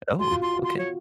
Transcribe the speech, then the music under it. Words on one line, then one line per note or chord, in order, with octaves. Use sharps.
Oh, okay.
F#4 C6
F4
F4 C6
F#4
C6
C#5